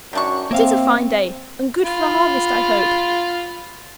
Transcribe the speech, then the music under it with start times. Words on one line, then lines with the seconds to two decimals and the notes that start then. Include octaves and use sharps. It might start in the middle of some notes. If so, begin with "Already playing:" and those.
It is a fine day, and good for the harvest, I hope.
0.13 F#2 D#3 D4 C#6
0.51 A#3 C4 E5 F5
1.84 F4 B5